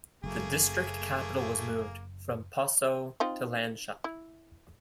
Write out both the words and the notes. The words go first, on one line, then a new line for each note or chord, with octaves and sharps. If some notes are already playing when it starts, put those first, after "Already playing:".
The district capital was moved from Passau to Landshut.
F#1 F#2 A3 A#3 G#4
C4 D#4 F4
E4